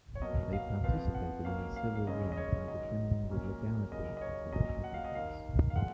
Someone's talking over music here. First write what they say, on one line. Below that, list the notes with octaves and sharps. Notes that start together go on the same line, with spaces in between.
They participated in the Civil War by defending the legality of the republicans.
C#5
B2 F#3 A#3 D#5
F5
F2 F3 B3 F5
F#5
G#2 F#3 A#3 C#4 F5
F5
F5
F#2 C#3 G#3 C#4 D#5
D#5
C#5
G#2 D#3 F#3 D#5
A#2 F#3 A#3 C#4
D#2 C#3 F#3 A#3 D#5
D#5
C#5
A#2 F#3 C#4 D#5
F#5
F5
D#5
D#2 D#3 A#3 F5
F5
A#2 F3 G#3 F#5